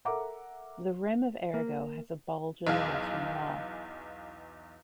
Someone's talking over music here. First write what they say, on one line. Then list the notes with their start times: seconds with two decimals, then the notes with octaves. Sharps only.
The rim of Arago has a bulge in the western wall.
0.05 A4 A#4 E5 F#5 A#5 D6
1.54 A#3
2.67 B1 E2 G#4 F5